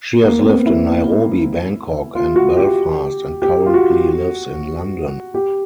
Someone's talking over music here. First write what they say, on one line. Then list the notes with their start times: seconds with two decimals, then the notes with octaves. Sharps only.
She has lived in Nairobi, Bangkok and Belfast, and currently lives in London.
0.23 A#3
0.39 C4
0.45 B3
0.66 E4
2.15 F4
2.36 F#4
2.57 G4
3.42 G4
3.66 F4
3.74 F#4
5.34 G4